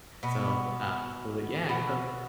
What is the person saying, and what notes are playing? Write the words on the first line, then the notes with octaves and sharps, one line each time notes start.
So, uh well, yeah, so
B2 B3
B2 B3